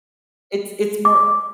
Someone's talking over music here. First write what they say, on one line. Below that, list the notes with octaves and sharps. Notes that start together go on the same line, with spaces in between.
it's it's more
D6